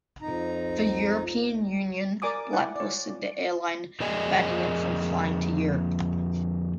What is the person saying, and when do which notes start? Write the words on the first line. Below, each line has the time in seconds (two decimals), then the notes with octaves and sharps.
The European Union blacklisted the airline, banning it from flying to Europe.
0.22 F2 D#4 A#5
2.22 A#4 D5 G#5 D6 D#6
2.53 E4 D5 F#5 G#5
2.76 C#5 D5
4.00 F2 A#3 G#4 D5 D#5 G#5